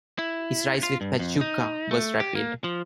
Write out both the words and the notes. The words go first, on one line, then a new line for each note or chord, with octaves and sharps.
His rise with Pachuca was rapid.
E4
F4
G2
F2
D#4
A3
G4
A#3
F3